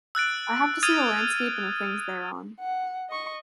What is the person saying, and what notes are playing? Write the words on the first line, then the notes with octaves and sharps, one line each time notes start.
I have to see the landscape and the things thereon.
E6 F#6 A6 D7
D#6 F6 G#6 A6 D#7
F#5
D#5 C#6